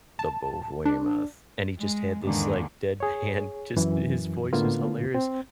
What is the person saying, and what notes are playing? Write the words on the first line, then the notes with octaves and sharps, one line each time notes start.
the Behemoth," and he just had this, like, deadpan. Just his voice is hilarious,
A5
D4
G#3
E2 G#2 D3 D#3 G#3 A#3
G#4 C#5
F#2 E3
A2 D3 A#3 B3 F4
C4